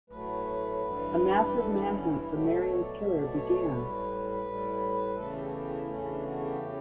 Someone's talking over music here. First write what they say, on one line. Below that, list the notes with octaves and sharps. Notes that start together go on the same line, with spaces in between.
A massive manhunt for Marion's killer began.
A2 F#3 A3 B4
G2 E3 G3
G4
G2 E3 G3 A4
B3
C#4
E4
B2 F#3 A3 G4
A4
C#5
D5
B2 F#3 A3 E5
D5
C#5
D5
C#5
A2 G3 B4
A2 G3
E2 C#3 E3 A3 A4
G4
G4
E4
E2 C#3 E3 A3 C#4
D4
F#4
G4
C#3 E3